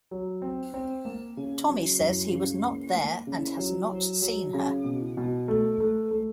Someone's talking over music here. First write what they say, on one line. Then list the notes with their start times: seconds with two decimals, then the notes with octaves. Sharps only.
Tommy says he was not there and has not seen her.
0.11 F#3
0.42 C4
0.74 C4
1.05 A#3
1.37 C#3
1.69 F#3
2.00 F#2
2.32 C#3
2.63 A#3
2.95 A#3
3.27 C#3
3.58 F#3
3.90 F#3
4.22 F#3
4.54 C#3
4.84 B2
5.17 B2
5.48 A3
5.80 A3
6.11 A3